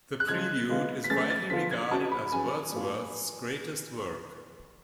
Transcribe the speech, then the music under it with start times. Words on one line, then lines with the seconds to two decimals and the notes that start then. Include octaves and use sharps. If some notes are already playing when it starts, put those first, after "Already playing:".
"The Prelude" is widely regarded as Wordsworth's greatest work.
0.20 F#6
0.28 C#3 F3 G#3 G#6
0.69 D3 G#3 B3 F4
1.04 B6
1.10 A3 C#4 G#4 B4 A6
1.30 A6
1.50 D3 F3 B3 F4 B6
1.71 G#6
1.91 F#3 C#4 F#4 B4 A5
2.12 B5
2.32 F#3 C#4 G#4 B4 G#5
2.73 A2 F#3 B3 F4